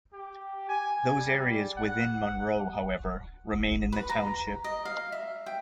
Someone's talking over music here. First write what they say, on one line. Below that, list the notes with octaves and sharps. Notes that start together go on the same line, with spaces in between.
Those areas within Monroe, however, remain in the township.
G4
G#5
G3
F#5
B4
A#5
D#5
F5
E5
G5